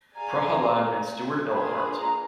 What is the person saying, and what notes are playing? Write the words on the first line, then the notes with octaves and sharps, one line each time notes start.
Prahalad and Stuart L. Hart.
G#4 D5 F5 G#5 A#5
A#5
A#3 D4 F4 G#4 B4 B5
A#5
B5
A#5